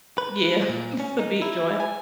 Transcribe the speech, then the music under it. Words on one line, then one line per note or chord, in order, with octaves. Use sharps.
Yeah, just, a big joy.
B4
A#2
C#4
D#4
E4
G#5